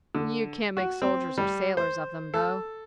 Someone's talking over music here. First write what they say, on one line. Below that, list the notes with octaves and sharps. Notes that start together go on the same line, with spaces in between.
"You can't make soldiers or sailors of them, though."
D3
F#4
C4
G3
C5
A4